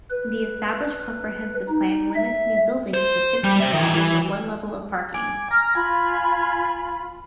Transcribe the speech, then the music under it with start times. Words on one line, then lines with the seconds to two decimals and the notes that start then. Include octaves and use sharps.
The established comprehensive plan limits new buildings to six-stories over one-level of parking.
0.10 B4
1.69 D#4
2.15 E5
2.94 C5
3.44 G3
3.60 C5 E5
3.73 D#3 E3
3.95 E3
5.14 G#5 D6
5.51 A#5 F6
5.75 F4 G#5 B5